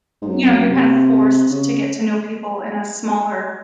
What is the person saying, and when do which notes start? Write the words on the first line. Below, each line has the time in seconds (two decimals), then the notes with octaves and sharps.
you know, you're kinda forced t to get to know people in a smaller,
0.22 G#2
0.27 F#2
0.43 E2
0.47 F#2
0.68 C3
1.50 C#3